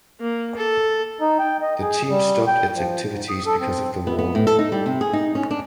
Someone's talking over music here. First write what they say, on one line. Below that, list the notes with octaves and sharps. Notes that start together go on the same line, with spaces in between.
The team stopped its activities because of the war.
A#3
A4
D#4
G5
D#5
G#4
G3
G5
F3
G#2
D#6
A4
C4
B3
B3
A2
A4
D#4
G3
C3
G#4
D#4
C#4
D4